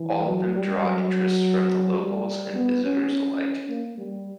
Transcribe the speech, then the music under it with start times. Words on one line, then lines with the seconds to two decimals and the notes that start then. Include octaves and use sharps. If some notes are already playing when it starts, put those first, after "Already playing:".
All of them draw interest from the locals and visitors alike.
Already playing: E3
0.26 F#3
0.55 G3
0.84 F#3
1.98 G3
2.55 B3
2.84 C#4
3.12 C#4
3.69 A#3
3.98 G3